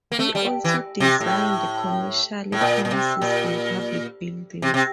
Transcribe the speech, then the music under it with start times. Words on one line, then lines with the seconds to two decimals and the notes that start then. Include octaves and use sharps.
He also designed commercial premises and public buildings.
0.12 A#3
0.19 A3
0.35 G3
0.64 E3
1.00 C3
1.21 A2
2.52 A2
2.61 A#2
2.85 A#2
2.91 C3
3.21 A#2
4.62 C3
4.74 C3